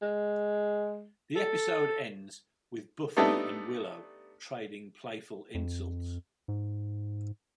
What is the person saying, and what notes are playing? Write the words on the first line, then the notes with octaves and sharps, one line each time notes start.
The episode ends with Buffy and Willow trading playful insults.
G#3
A4
G3 A3 B3 D4 D#4 A4
F2
G#2